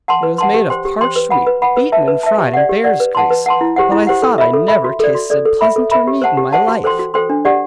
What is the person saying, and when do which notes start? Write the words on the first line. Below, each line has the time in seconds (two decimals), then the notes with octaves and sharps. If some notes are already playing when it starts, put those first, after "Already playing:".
It was made of parched wheat, beaten, and fried in bear's grease, but I thought I never tasted pleasanter meat in my life.
0.08 F#5 A5 C6
0.23 B4
0.38 F#5 A5 C6
0.54 G4
0.70 C5 G5 C6
0.85 G4
1.01 C5 G5 C6
1.16 B4
1.30 F#5 B5
1.47 B4
1.62 F#5 B5
1.77 B4
1.92 E5 A5
2.08 B4
2.23 E5 A5
2.38 G4
2.54 D5 F#5
2.69 G4
2.84 D5 F#5
3.00 B4
3.15 F#5 A5 C6
3.30 B4
3.46 F#5 A5 C6
3.61 E4
3.76 G4 C5 F#5
3.92 E4
4.07 G4 C5 F#5
4.22 A4
4.38 E5 B5
4.53 A4
4.68 E5 B5
4.84 F#4
5.00 A4 D5
5.15 F#4
5.30 A4 D5
5.45 A4
5.61 E5 B5
5.76 A4
5.91 E5 B5
6.07 G4
6.22 C5 F#5 A5
6.37 G4
6.53 C5 F#5 A5
6.68 F#4
6.84 A4 C5 G5 C6
6.99 F#4
7.14 A4 C5 G5 C6
7.30 D4
7.45 G4 D5 F#5